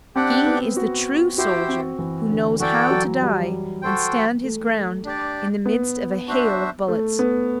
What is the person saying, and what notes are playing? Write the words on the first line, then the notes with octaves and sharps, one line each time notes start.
He is the true soldier who knows how to die and stand his ground in the midst of a hail of bullets.
C4 D4 G4 D5 F#5
B3
F#4
E4 F#4 G4 C5 G5
C4
E3
D3
E3 F#4 A4 D5 G5
F#3
G3
F#4 A4 C5 G5
A3
D4 G4 D5
B3
D4 F#4 C5 E5
A3
B3